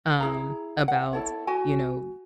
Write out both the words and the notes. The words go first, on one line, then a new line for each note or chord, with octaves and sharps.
Um, about, you know,
E4 G#4 A#5
F#5
E4 A4 C#5
F#4 G#5